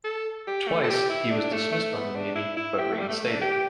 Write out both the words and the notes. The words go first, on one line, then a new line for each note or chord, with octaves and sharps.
Twice, he was dismissed from the Navy, but reinstated.
A4
G4
A3
A4
G4
E4
D4
A3
A3
B3
D4
E4
E4
G4
A3
G3
A3
A3
D4
G4